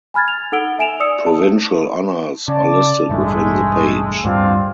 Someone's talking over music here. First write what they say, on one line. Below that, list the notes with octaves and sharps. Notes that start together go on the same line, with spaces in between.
Provincial honours are listed within the page.
G#5 B5 F6 G#6 A6
F7
D#4 A4 F#5 E6 D7 G7
E5 G#5 D7 E7 F7
D5 D#6 E6 C#7
A5
C#3 D5 A5
E1 A1 G2 G#3 A3
D1 G2 G3 C4 D4 F4